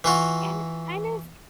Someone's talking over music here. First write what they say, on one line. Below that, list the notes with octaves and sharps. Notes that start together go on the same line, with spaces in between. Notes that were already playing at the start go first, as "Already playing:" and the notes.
and it's kind of,
E3 F4 F#4